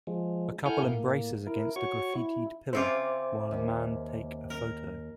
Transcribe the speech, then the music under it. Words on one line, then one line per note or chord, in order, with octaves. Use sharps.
A couple embraces against a graffited pillar while a man take a photo.
F3 G#3
E4 A4 F#5 G#5 F6 G6
A2 A#3
E4 A#4
F#4 C#5 C#6
E4
C#3 C4 F4 C5 E5 D6
D#2
A#4